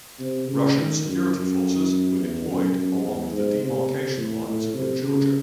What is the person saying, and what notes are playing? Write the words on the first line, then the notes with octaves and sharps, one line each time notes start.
Russian security forces were deployed along the demarcation lines with Georgia.
C3
C#3
D#3
F#2
F#2
E2
F#2
F#2
E2
G#2
C3
C3
A2
A2
C3
C#3